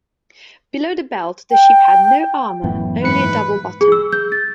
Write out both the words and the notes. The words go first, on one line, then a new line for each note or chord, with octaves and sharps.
Below the belt the ship had no armor, only a double bottom.
G5
F#2 A2 E3 B3
G#2 B4 C#7
G#4
E6
G6
A6